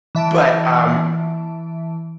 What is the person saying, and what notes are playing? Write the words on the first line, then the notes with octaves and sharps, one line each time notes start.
But, um,
E3 E5 A5 D7